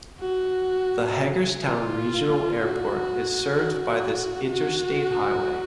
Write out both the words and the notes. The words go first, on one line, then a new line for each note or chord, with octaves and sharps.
The Hagerstown Regional Airport is served by this interstate highway.
F#4
F4
F#4
F#4
F#4